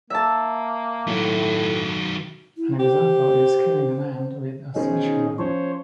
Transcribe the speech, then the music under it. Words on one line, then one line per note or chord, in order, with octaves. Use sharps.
An example is killing an ant with a sledgehammer.
A#3 E5 A5
A2 D#3 F#3
E4
G4 C5
B2 D#3 C#4 D#4 G#4 C5
F3 C#4 C5 C#5